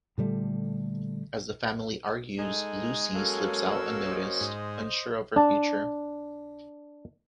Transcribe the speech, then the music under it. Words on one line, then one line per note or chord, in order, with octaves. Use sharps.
As the family argues, Lucy slips out unnoticed, unsure of her future.
A#2 D3 G3 A3
G#3 D#4 A4
F#3 A#3 C#4 A4 F5
E6
C5 D#5
G#2
D4 A5